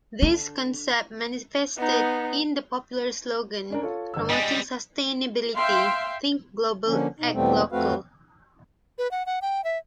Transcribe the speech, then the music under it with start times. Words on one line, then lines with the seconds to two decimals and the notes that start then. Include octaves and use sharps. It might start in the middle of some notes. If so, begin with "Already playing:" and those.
This concept manifested in the popular slogan promoting sustainability: think global, act local.
0.22 D3 D4
1.78 B3 D#4
3.70 C#4 D4 A#4
3.82 F4 A4 C#5
4.14 G1 E6
4.29 G3 G#3 D#5 G#5 A6
5.55 E5 F5 G5 C6
6.87 D3 F3 A#3 C#4
7.19 B2 D#4
7.33 E2 B2 G3 A3 C4
7.72 F2 A3 C4 F#4 B4 F5
8.98 B4
9.11 F#5
9.26 F#5
9.42 G5
9.64 E5